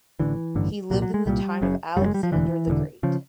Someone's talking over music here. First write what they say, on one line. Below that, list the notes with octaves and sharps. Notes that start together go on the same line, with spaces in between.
He lived in the time of Alexander the Great.
A1 G2 D3 E3
A1 G2 D3
C2 A#2 F#3
F#3
G#3
C2 A#2 G3
F#1 F#2 C#3
F#1 F#2 C#3 G3
G#3
G3
F3
E1 D2 D3 E3
E1 D2 D3
C#3 F3